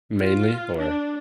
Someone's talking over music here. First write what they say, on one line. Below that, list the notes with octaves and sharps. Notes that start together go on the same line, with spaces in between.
mainly or
F4
D4